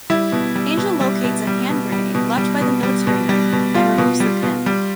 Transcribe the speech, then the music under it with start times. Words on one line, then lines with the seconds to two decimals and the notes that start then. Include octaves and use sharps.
Angel locates a hand grenade left by the military men and removes the pin.
0.10 G3 E4
0.32 B2
0.55 G3
0.78 B2
1.01 G3
1.24 B2
1.47 G3
1.70 B2
1.92 G3
2.15 B2
2.38 G3
2.61 B2
2.83 G3
3.07 B2
3.29 G3
3.53 B2
3.74 G3 F4
3.98 B2
4.20 G3
4.43 B2
4.66 G3